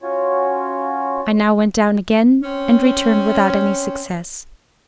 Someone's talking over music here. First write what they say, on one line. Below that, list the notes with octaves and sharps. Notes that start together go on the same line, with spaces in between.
I now went down again, and returned without any success.
C#4 F4 F#4 C#5
C4 C#4